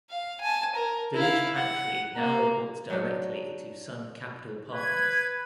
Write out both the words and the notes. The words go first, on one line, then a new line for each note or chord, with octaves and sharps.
Village Pantry now reports directly to Sun Capital Partners.
F5
G#5 A5
A#4
E4 F5
F#5
A#3
F#3 D4 D#4
B4 G#6